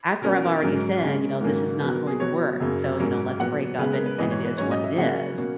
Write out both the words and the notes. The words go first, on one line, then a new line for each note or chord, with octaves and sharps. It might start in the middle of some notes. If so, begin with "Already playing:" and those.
after I've already said, you know, "This is not going to work." So, you know, "Let's break up and and it is what it is."
B2 A#3 C#4 A#4
A#4
G#2 F#3 C#4 A#4
C#3 G#3 C#4
G#2 D#3 F#3 A#3 C#4
B2 F#3 B3 B4
A#4
G#4
B2 F#3 B3 C#5
F#2 C#3 F#3 A#3
G#2 F#3 C#4 A#4
A#2 F#3 B3 F#5
C#3 G#3 B3 B4
A#4
B4
G#2 E3 B3 D#5
C#5
B4
G#2 F#3 C#4 C#5
D#5
E5
C#3 F#3 A#3 C#4 F#5
B2 A#3 C#4